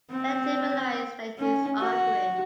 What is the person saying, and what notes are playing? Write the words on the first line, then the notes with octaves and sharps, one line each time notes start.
Let him realize that he is arguing.
C4
C#4
F#4